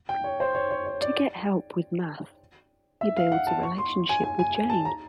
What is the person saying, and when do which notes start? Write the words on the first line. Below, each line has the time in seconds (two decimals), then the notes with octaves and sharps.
To get help with math, he builds a relationship with Jane.
0.09 G5
0.24 C#5
0.40 C5
0.55 C#5
0.71 C#5
0.86 C#5
1.02 D5
3.01 E5
3.17 F5
3.32 F#5
3.47 A5
3.63 C#6
3.78 C6
4.09 G#5
4.24 G#5
4.39 G#5
4.55 G#5
4.70 A5
4.85 A#5